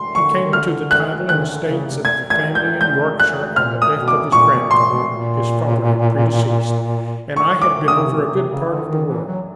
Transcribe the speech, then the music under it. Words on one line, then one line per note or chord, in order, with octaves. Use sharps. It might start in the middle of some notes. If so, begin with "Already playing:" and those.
He came into the title and estates of the family in Yorkshire on the death of his grandfather--his father had predeceased--and I had been over a good part of the world.
Already playing: C6
D3 C#6
D#3
D3 F6
F#6
D#3 F#6
D3
C#3
C3
G#6
G#6
G6
G6
F#6
A#2 F6
D#6
B2
D6
A#2 C#6
B2
A#2 C6
B2
A#2
C#6
D6
D#3
D3 D#6
C#3
C3
B2
C3
C#3
D3
D#3
E3
F#3